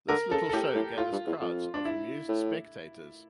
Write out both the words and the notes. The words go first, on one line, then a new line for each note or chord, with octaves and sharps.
This little show gathers crowds of amused spectators.
D3 A#4
C#3 A4
A4
A2 G4
A2
A2 F4
G2
E2
F2
D4
E4
A2